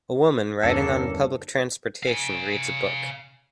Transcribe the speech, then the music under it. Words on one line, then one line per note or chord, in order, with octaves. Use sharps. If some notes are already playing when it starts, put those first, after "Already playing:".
A woman, riding on public transportation, reads a book.
E2 G2 D3 A#3 C#4 D4 A4
F5 G#5